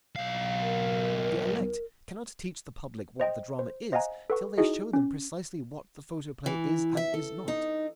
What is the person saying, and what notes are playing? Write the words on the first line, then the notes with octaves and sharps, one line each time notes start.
The elect cannot teach the public what the drama is till they show them precisely what the photoplay is and is not.
B1 F5
A#4
C5 D#5 G5
C5
C5 D#5 F5 F#5 G#5 A#5
A4 B4 F#5 C#6
D#4 E4 F#4 G#4 D#5
C#4
E3
E5
A4
D#4